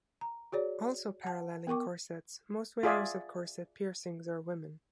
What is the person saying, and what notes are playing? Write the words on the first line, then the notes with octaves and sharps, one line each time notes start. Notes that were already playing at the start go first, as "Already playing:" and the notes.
Also paralleling corsets, most wearers of corset piercings are women.
A#5
F#4 G#4 C#5 D5
F#5 A5
B3 A#4 G5 C#6 D6
F4 G#4 D5 E5